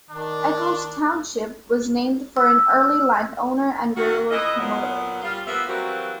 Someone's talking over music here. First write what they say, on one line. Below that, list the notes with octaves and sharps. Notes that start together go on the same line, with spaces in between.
Eckles Township was named for an early landowner and railroad promoter.
D#3 D4
E6
D#3 F#4
F2 E3 E4 D#5
A#2 F#3 B3
G3 F4
F3 A#3 B3 B4 E5
E3 F#3 G3 A#3 C4 F#4